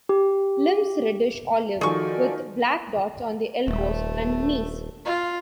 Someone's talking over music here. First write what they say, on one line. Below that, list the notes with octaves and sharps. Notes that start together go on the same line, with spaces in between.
Limbs reddish olive, with black dots on the elbows and knees.
G4
D#3 F3 F#4 G#4 A4 D5 G#5 C#6
D#1 A3
F4